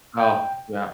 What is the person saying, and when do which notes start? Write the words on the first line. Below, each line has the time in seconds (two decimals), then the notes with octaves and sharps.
Oh, yeah.
0.20 G5